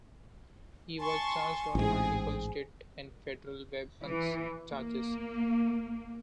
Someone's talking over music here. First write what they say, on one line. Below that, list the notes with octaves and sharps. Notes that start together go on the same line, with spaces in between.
He was charged on multiple state and federal weapons charges.
G#5 A5 C6 C#6
A1 G#2 C4 G#4
E3
A#3